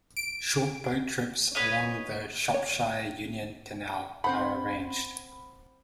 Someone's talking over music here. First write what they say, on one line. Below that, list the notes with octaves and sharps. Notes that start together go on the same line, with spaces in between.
Short boat trips along the Shropshire Union Canal are arranged.
D7
B4 C#5 D#5
C#5
C4 C5 F#5 B5